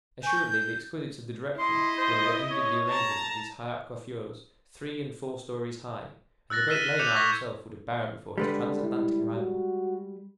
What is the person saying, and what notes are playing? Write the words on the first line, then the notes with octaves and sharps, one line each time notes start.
Assuredly, the exquisites of the Directory would have envied the arrangement of these high-art coiffures, three and four stories high, and the great Leonard himself would have bowed before his transatlantic rival.
G#5 C#6 G6
E4 D#5 C6
C5
C#5
A5 A#5
E6 F#6 A6 A#6
E6 F6 B6 D#7 E7
G7
D6 G6 C#7 E7 F7
C#6 G#6 A#6 B6 E7
D3 G3 G#3 B4
E4
F#4